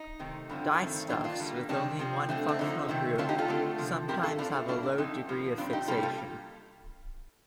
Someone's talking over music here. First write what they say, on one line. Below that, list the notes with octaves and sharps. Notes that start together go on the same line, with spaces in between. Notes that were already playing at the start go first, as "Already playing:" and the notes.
Dyestuffs with only one functional group sometimes have a low degree of fixation.
Already playing: D#4
C3 D#3 A3 C4
G2 D3 F3 C4
G2 D#3 A3 C4
G2 D#3 A#3 D4 F4
D4 F4
D3 G3 A#3
C3 D#3 G3 C4 D4
C3 F3 C4
D3 A3 C4
D4
F2 D3 F3 D#4
C3 D#3 A3 C4
D3 A3 C4 D4 F4
D#4 G4
F4 A4
D3 A3 C4
C3 F3 A#3
G2 F3 A3 C4 G4 A#4
F4 A4
A2 A3 C4 D4 F4
A2 G3 A#3 D4 F4
D4
F2 D3 A3 C4 D#4
A2 F3 A#3
A#2 G3 C4 D4 F4
D#4 G4
C3 G3 A#3 F4 A4
F4 A4